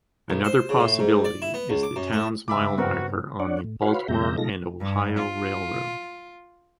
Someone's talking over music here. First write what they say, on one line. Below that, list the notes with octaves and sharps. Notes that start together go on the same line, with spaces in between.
Another possibility is the town's mile marker on the Baltimore and Ohio Railroad.
B1
C5
C#3
A2
G#2
D5
E4
B3
C#2
D6
F#2
A3
G2 C#3 E5 B5 D6
B3 C4 F#4 A#4
D4 C#5 D5 F#5
A2
F#4 B4 C#5 F5 B5 C6
F2 C3 G#3 E5 A#5 G6
B2 G#3 D#4 F4 A4 A#6
G2
F4